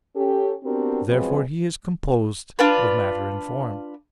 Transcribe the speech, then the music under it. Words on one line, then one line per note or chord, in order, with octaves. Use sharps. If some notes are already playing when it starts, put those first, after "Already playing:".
Therefore he is composed of matter and form.
C#4 G4 A4
B3 C4 D4 F#4 G4 A#4
F3 F#3 G#3 B3 C4
D4 F4 B4